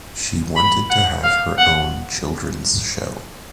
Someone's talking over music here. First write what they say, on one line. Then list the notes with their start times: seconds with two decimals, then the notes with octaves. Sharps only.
She wanted to have her own children’s show.
0.56 B5
0.89 F#5
1.23 F5
1.58 F#5